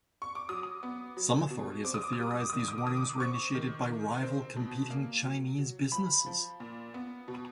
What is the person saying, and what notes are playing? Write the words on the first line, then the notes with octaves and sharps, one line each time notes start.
Some authorities have theorized these warnings were initiated by rival competing Chinese businesses.
C#6
D6
F#3 D#6
B3
F#3
B2
C4 D6
D#6
D6
D#6
G3 D6
D#6
D6
D#3 D#6
D6
D#6
D6
D#3 D#6
D6
C4 C#6
D#3
D#3
C4
B2
A#3
F#3
F#3
F3 B5
F3
A#2
B3
B2